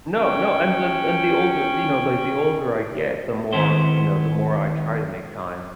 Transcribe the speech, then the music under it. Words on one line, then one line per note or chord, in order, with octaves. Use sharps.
No, no, and then and the older you know, like, the older I get, the more you know, the more I try to make time,
C#4 G5
D#3 G#3 B3 C4 E4 C5